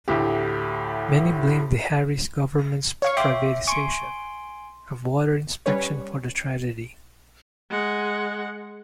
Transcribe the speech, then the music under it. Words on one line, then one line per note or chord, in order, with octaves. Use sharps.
Many blamed the Harris government's privatization of water inspection for the tragedy.
D2 A2 G4
C#5 F5 C#6
E5 G5 C6 D6
G#5 C6 C#6 D7
G3 C#4 B4 C#5
G#3 F#5